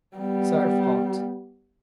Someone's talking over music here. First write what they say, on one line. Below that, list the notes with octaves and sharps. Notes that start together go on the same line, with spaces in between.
Serve hot.
G3 B3